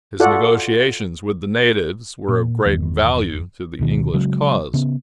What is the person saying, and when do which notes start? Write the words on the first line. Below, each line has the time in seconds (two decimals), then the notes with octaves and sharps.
His negotiations with the natives were of great value to the English cause.
0.20 F4 F#4 A4 D5 F#5
2.28 A#2
2.66 G1 E2 D#3
3.79 D2 B2 D#3
4.14 C#3 F#3 G#3
4.73 C#3 B3